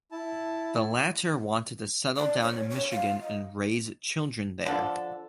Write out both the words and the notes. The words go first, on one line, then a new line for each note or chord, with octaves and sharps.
The latter wanted to settle down in Michigan and raise children there.
E4 A5
D5
C#5
C#5
F5
D#5
D3 F3 D4 A4